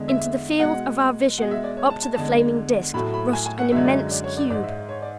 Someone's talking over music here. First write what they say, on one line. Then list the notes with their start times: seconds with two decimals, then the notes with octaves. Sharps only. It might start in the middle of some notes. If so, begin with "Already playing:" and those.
Into the field of our vision, up to the flaming Disk rushed an immense cube.
Already playing: E2 D3 G#3
0.08 E5
0.60 B2 G#3 F#5
1.38 B2 F#5
1.41 G#3
1.51 E5
1.64 D5
1.77 C#5
1.90 A5
2.03 A5
2.16 E2 D3 G#3 A5
2.94 A2 F#3 A3 B5
3.14 B5
3.33 G#5
3.46 G#5
3.59 F#5
3.72 F#2 D3 G#3 E5
3.85 D5
4.11 D5
4.24 C#5
4.37 D5
4.50 G#2 D5
4.54 G#3
4.63 E5
4.89 C#5
5.02 D5